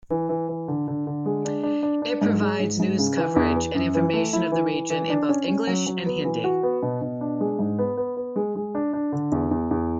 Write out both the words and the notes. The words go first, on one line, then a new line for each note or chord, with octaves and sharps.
It provides news coverage and information of the region in both English and Hindi.
E3
E3
E3
D3
D3
D3
G#3
D4
D4
D4
D4
G#2
G#3
G#2
G#2
C#3
E3
E2
E3
F#2
E3
A3
E4
E3
E3
E3
D4
C#4
C#4
F#3
F#3
B3
E3
F#4
B3
B2
B2
D4
G#3
G#2
B3
B3
B3
G#3
G#3
D4
D4
D3
E2
E2
E2